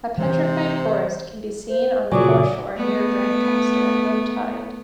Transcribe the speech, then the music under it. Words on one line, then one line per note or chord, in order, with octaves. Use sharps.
A petrified forest can be seen on the foreshore near Brancaster at low tide.
C3 E3 G#3 C5
C5
A#2 C#3 F#3 D5 G#5 D6 D#6
A3 B3